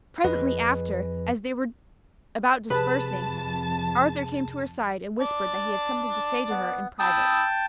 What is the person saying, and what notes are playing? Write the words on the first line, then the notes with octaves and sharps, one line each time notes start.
Presently after, as they were about dispersing, Arthur came to her side and whispered that he had something to say to her in private.
F2 G#4 B4 D#5
F2 C3 G#4 B4 A5 B5
D5 A5
B3
G5 A5 B5 D#6 E6